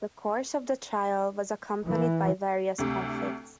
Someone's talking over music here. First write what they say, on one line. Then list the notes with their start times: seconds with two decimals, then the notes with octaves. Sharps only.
The course of the trial was accompanied by various conflicts.
1.86 E3
2.78 D2 C3